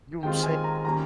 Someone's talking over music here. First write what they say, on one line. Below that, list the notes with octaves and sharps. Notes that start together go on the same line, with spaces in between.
You know I'm saying?
D#2 D#3 G#3 C4 F4 G5
G#5
A#5
D#3 G3 A#3 C#4 A#5